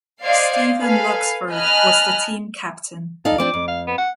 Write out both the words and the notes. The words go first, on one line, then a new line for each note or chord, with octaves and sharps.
Stephen Luxford was the team captain.
C5 D5 D#5 F5 G#6 C7
A4 B4 F5 G#5
D#5 G#5 A5 B5 F6 F#6
D#4 A4 D5 F5
F3 C4 D4 D6
F2
F5
B3
F#5